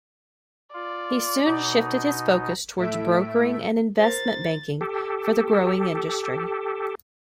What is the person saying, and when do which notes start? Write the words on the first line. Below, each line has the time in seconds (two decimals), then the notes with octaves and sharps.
He soon shifted his focus towards brokering and investment banking for the growing industry.
0.74 F4 D5
1.45 B2 D#4
2.77 A2 A3 E5 D7
3.99 A#4 C5 A6
4.81 G4 A4